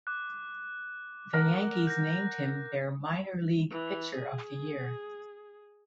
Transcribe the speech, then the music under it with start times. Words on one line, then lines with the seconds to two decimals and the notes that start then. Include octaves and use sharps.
The Yankees named him their minor league pitcher of the year.
0.07 D6 F#6
1.33 A#4 F#5
1.87 G6 A#6
3.71 E3
4.15 G#4